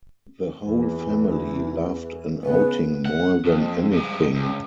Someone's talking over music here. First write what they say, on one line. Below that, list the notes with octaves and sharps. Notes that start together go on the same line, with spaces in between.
The whole family loved an outing more than anything.
E2 E3
C#3 B3 B4
F#5
F2
G2 G#3
C#2